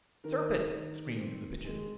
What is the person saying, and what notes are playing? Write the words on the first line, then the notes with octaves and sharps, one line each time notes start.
'Serpent!' screamed the Pigeon.
D#3 A#4
D#3
C4
G#3